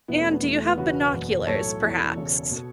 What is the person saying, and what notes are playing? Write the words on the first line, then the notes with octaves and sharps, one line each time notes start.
And do you have binoculars perhaps?
E1 E2 B2 B3 E4
A3 C#4
B3
E1 E2 E3 A3
A3
B3
E1 E2 C#3 F#4 B4
F#1 E2 B2
B1 A2 E3 A4 C#5
E1 E2 E3
E1 E2 C#3
B2